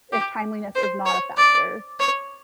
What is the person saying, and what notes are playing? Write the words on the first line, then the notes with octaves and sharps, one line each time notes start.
if timeliness is not a factor
G4
C5
C#5
D5
C#5